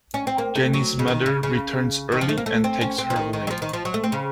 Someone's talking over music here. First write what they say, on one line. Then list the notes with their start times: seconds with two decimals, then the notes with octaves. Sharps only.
Jenny's mother returns early and takes her away.
0.14 C#4
0.27 C4
0.38 A#3
0.55 A3
0.74 F#3
0.99 C#3
1.08 D#3
1.26 C#3
1.43 C#3
2.12 D#3
2.21 F3
2.29 A3
2.38 A#3
2.46 A3
2.64 C4
2.81 C#4
2.98 C4
3.10 F3
3.16 D#3
3.33 D#3
3.47 F#3
3.51 F3
3.62 D#3
3.73 F3
3.85 F#3
3.94 A3
4.04 C4
4.12 C#3